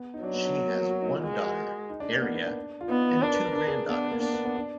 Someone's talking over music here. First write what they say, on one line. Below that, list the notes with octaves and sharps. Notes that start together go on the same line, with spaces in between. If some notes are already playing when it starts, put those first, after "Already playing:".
She has one daughter, Area, and two granddaughters.
Already playing: B3
D#4
F#3 D4
B3
D4
B3
A#3
F#4
F#4
D#4
F4
G#3 F#4
A#4
F#4
D#4
D4
A#3
B3
B3
D4
F4
B3 D#4
D4 A#4
B4
A#4
D4 A#4
G#4
B3 D4
A#3
B3 D4
B3
B3
D4